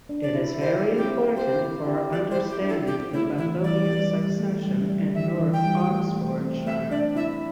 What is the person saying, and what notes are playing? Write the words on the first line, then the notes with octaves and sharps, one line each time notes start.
It is very important for understanding the Bathonian succession in north Oxfordshire.
D4
D5
E4
G4 C5
E4
C4 G4
G4 C5
E4
G4
G4 D5
C5
E4
G4
D4
A4
C4 G4
A3 E4
E3 E4
E3 D5
G3
G3
A3
G3
G3
E3 E5
E3
G5
G3
G3
A3
A3
C4
A3 E5
D4 D5
E4 E5